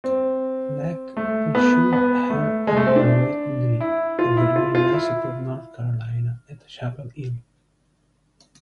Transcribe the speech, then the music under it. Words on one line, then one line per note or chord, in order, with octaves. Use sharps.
Black pursued her undergraduate degree at the University of North Carolina at Chapel Hill.
C4
A3
B3
B3
A3
G#3
A3
C4
D4
E4
F4
E4
F4
F4
E4